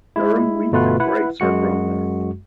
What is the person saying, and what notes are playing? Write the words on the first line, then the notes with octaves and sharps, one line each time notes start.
Durum wheat and grapes are grown there.
G#3 E4
G1 B2 A3 F4 B4 F#5
E4 B4 F#5
F#2 G#3 F#4 C#7